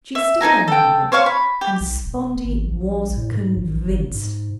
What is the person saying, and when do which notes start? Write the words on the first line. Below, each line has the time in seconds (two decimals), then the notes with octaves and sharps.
She stood there a moment and Spondee was convinced.
0.15 E5
0.41 D#4 A4 G#5 A#5
0.68 A4 G5
1.12 C5 C#5 F5 C#6
1.26 B5
1.61 G4
1.81 B1
2.05 D#1
2.45 G#1
2.71 A#1
3.17 A2
3.32 G#2
3.57 A#1
3.86 G1
4.15 G#2